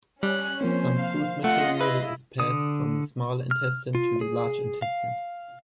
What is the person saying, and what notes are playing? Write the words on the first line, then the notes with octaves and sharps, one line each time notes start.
Some food material is passed from the small intestine to the large intestine.
G3 C#4 F#6
F3 A#3 C4 C5
F5
A3 F4 D#5 F#5
E4 B4
D3 D#6
F6
F4
G#4
F5